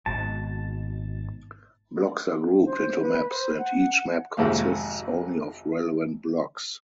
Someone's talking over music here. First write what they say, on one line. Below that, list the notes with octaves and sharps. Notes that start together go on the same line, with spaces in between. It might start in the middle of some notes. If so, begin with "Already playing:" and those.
Blocks are grouped into "maps", and each map consists only of relevant blocks.
G#1 G#2 B2 A5
C5
B4
C5
F#5
G#1 F2 G#2 C3 A3 F5